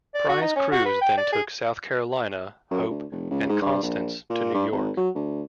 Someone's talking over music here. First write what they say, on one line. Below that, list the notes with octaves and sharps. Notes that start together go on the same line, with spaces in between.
Prize crews then took "South Carolina", "Hope" and "Constance" to New York.
D5
F#4
D#4
C#4
F#4
B4
G5
D5
G#4
F#2
D2
F1
C#2
G#2
G2
A#1
A#2
G2
G#1
F#3
D2